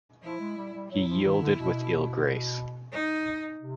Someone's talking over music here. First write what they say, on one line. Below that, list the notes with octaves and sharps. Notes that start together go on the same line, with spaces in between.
He yielded with ill grace.
F3 E4
G#3
G3
G3
F#3 E4
F3
D#3
D3
B2
D#4
C3